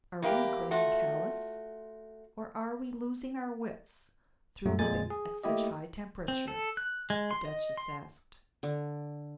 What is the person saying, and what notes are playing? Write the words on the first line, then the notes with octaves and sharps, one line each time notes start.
"Are we growing callous, or are we losing our wits through living at such high temperature?" the Duchess asked.
E2 A#3 G4
A3 F4 F#4
F#2 A#2 F#3 A3
F2 A#2 G#3 G#5 A6
G#4
A3 A#3 E4 G4 D#5
C4
A4
F#6
G#3
C6
D#5
C6
D3